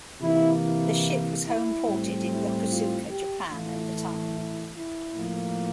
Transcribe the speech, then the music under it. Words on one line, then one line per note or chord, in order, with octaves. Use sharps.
The ship was homeported in Yokosuka, Japan, at the time.
C3 E3 A#3 E4
E4
E4
A2 G3 C4
E4
F4
G4
A2 E3 A3 F4
E4
E4
E4
A2 F3 A#3